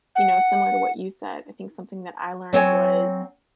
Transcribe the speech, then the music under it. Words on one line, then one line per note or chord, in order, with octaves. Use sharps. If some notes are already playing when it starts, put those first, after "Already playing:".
you know, similar to what you said, I think something that I learned was,
F#5
F#3 C4 C#5 G#5